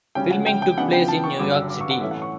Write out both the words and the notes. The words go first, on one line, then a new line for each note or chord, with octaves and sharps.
Filming took place in New York City.
D2 C#3 G3 C#4 G5
F#5
G5
G5
C#3 E3 B3 D4 F#5
G5
A5
C#6
G2 D3 F#3 D6
E6
D6
C#6
F#5
A2 E3 A3 C#4 E5
F#5
C#6